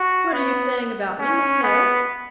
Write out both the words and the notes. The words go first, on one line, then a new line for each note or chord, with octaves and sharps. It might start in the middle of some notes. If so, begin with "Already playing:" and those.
'What are you saying about me, Miss Hale?
Already playing: F#4
B3
C#4
B3